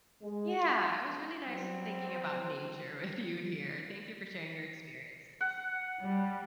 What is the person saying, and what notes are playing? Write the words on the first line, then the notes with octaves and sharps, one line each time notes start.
Yeah, it was really nice thinking about nature with you here. Thank you for sharing your experiences.
G#3
F#3 G3 C4
F#5
G3